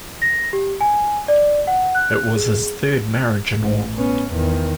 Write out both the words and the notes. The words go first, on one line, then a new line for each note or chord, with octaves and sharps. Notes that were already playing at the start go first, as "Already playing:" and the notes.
It was his third marriage in all.
A#6
G4
G#5
D5
F#5
F#6
G#4
A1
B3 C#4
E2 D#3